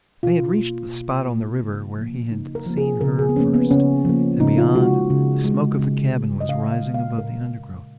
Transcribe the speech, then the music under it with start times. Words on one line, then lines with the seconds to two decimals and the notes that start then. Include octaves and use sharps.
They had reached the spot on the river where he had seen her first, and beyond, the smoke of the cabin was rising above the undergrowth.
0.23 B2 F4
0.58 A#3
0.93 B2
1.27 A#3
1.63 C#3
1.97 F3 A#3
2.32 C#3 D#4
2.55 A#4
2.66 F3 A#3
2.78 G#4
3.01 C#3 A#4
3.19 G#4
3.29 B3
3.36 F3 A#3 C#4
3.54 B3
3.71 C#3 C#4
4.05 F3 A#3
4.40 C#3 D#4
4.58 F4
4.75 G#3 F#4
5.10 C#3
5.45 G#3
5.79 C#3
6.13 G#3
6.41 D#5
6.48 C#3 F5
6.71 F5
6.83 G#3
6.94 F5
7.18 A#2 A#4